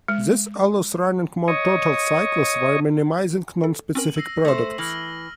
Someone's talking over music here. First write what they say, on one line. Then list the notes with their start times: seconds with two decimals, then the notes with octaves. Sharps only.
This allows running more total cycles while minimizing non-specific products.
0.08 G#3
1.48 C#5 D#5
3.64 A4
3.95 C4 C#4 A#4 D#7 F#7
4.16 E6 A#6 C7
4.45 A3 C5
4.78 E3 F6 A#6 F#7